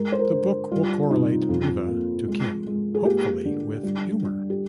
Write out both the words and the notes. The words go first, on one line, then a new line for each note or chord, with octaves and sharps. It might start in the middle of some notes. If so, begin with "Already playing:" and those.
The book will correlate Reva to Kim, hopefully with humor.
Already playing: G#3 A#4
C5
A#4
D3
G3 F4
C3 D#4
F2 F4
A#3
G#3
G#3
G#4
A#3 G4
D3
G3
G3
G4